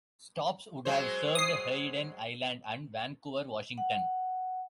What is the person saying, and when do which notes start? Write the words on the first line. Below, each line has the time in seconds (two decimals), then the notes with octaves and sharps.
Stops would have served Hayden Island and Vancouver, Washington.
0.85 F#3 G#3 C5
1.35 D#6 C7
3.78 F#5